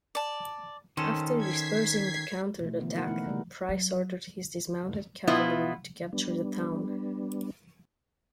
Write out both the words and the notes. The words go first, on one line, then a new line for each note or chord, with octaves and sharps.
After dispersing the counterattack, Price ordered his dismounted cavalry to capture the town.
D5 A5
D#3 C#4 A4 C5
G#6 B6 C7
B2 E3 F3 A3
D3 E3 A#3 B3
D#4 E4 F#4 A#4 F#5
E3 A3 B3 C#4 D#4
C#3 G3 A3 C#4
F#3
B2 B3 E4 F4
G3 B3 D4